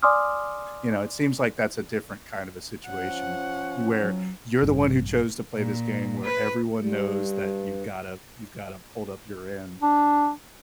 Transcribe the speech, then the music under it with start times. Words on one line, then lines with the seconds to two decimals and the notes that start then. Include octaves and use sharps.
You know, it seems like that's a different kind of a situation where you're the one who chose to play this game where everyone knows that you've gotta you've gotta hold up your end
0.03 D5 G#5 C6 D6 D#6 F6
2.87 F3 C#4 F#5
4.03 F#3
4.63 A1 G2
5.55 A#2
6.24 B4
6.74 G2
9.82 D4